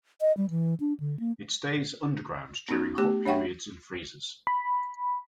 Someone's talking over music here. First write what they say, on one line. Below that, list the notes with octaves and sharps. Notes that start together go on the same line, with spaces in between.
It stays underground during hot periods and freezes.
D#5
G3
E3
D4
D3
A#3
B3 C#4 D#4 F#4
A3 B3 G4 D6
D4 C#5 E5 F#5 G5 C#6
B5